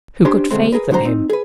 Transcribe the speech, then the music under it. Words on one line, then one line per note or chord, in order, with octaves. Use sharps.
Who could fathom him?
C#4 D4 G4 C5 C6
D2 B2 G#3 A3 C4 C6
G#4 A#4 B4
G#2 D3 F#4 G4 C5 A#5
C4 D#4
G#4 B4